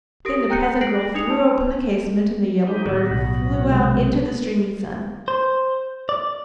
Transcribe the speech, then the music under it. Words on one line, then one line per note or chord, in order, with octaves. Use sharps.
Then the peasant girl threw open the casement, and the yellow bird flew out into the streaming sun.
G4 A#4 D#6 A#6 D7
G5 A#5 F#6 G6 C#7
F#6 A#6 C7 D7 F#7
D4 D#4 D#6 C#7 F7
A5
D#4 G4
A2 D#3 B3 F#4
B1
C3 G#3 G4
C5
D5